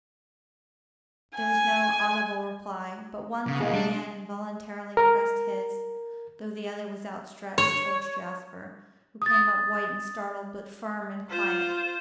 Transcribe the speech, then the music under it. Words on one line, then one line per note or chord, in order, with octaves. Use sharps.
There was no audible reply, but one little hand involuntarily pressed his, though the other was outstretched toward Jasper, who came up white and startled but firm and quiet.
G#5
C#3
B2 E3 G#4 D#5 F5
G3 D4
A#4
C#5
D#6 A6
F4 C5